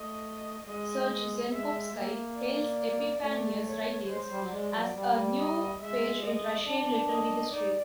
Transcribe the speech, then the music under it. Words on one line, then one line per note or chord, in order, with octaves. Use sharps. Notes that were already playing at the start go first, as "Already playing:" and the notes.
Serge Zenkovsky hails Epiphanius' writings as "a new page in Russian literary history".
Already playing: A3 D#5
G#3 D#5
G#3 E5
A#3
D5
A3
C#5
G#3 C5
G3
F#3
G#3 D5
F#3
G3
D#5
G#3 E5
D#5
D4 D5
D#5
D#4 D5